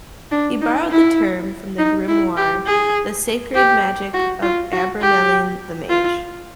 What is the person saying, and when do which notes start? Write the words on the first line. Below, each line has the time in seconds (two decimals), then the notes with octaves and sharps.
He borrowed the term from the Grimoire "The Sacred Magic of Abramelin the Mage".
0.31 D4
0.61 D#4
0.90 E4
1.79 D#4
2.08 E4
2.37 G4
2.66 G#4
3.55 G4
4.14 F#4
4.42 F4
4.72 F#4
5.02 G4
5.89 F4